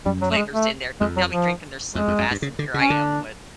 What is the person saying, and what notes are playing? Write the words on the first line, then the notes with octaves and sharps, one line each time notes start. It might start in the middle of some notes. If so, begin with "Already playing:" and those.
flavors in there. They'll be drinking their SlimFast, and here I am with
F#2 G3
F#3
A3
G#3
A3
F2 G#3
F#3
F3
F2 G#3
F2
F#2
G2
C#3
D3
C#3
C#4
D3 D4